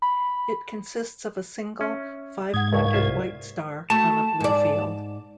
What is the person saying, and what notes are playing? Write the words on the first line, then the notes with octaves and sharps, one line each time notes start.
It consists of a single, five-pointed white star on a blue field.
B5
C#4 E5
G#2 F#5 D#6 G#6
C#2 G2 A#4 F5 C#6
C2 F4 E5
A3 F#4 A5
G#2 D5